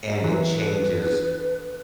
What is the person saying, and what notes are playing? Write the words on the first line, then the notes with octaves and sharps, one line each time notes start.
and it changes
E3 B4
A4
D4
A4